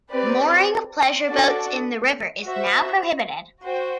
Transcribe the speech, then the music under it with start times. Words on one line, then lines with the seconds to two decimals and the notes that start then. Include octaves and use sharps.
Mooring of pleasure boats in the river is now prohibited.
0.11 C4 G4 B4 D5
1.28 D4 F#4 A4 D5
2.45 F#4 C5 E5
3.62 F#4 C5 G5